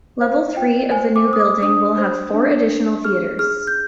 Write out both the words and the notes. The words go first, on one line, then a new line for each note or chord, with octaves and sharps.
Level three of the new building will have four additional theatres.
C5 F5
F4 G5
C5 G#5
D6
C5
D#6
D6
D4 D#6
C5
D4
D4
G#4 F6
G#4 F6
G6